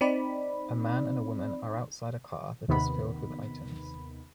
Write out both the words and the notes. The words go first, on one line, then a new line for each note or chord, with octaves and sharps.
A man and a woman are outside a car that is filled with items.
C4 D#4 D5 B5
D#2 C3 D#3 B3 B5